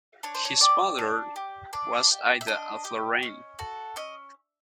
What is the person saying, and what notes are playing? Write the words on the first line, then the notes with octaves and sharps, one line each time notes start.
His mother was Ida of Lorraine.
D4 C#5
C5
C#5
G4 D5
D4
G4
D4 D5
G4
E5
D4 D#5
G4
C#4
F#4 A4
C#4 D#5